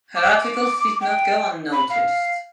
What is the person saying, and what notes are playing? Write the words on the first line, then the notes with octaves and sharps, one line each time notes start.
Her articles did not go unnoticed.
D6
G5
B5
F5